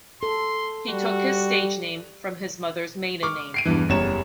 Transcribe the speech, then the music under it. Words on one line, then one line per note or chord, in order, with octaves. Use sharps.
He took his stage name from his mother's maiden name.
A4 C6
G3 F#4
C#6 D6 F6
C7 D7 D#7
E2 G2 E3
F#1 E2 G3 C#5 A#5 E7